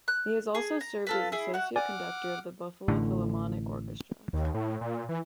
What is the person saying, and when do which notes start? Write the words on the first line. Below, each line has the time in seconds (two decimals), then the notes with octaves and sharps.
He has also served as associate conductor of the Buffalo Philharmonic Orchestra.
0.08 F#6
0.55 G#4
0.81 A#5
1.07 F4 A4 B4
1.32 E4 G#4
1.54 F#4 F#5
1.76 D5 F#5 G#5 D6 F6
2.88 A1 A2 D3
4.33 D#2
4.54 A2
4.81 A#2
5.09 E3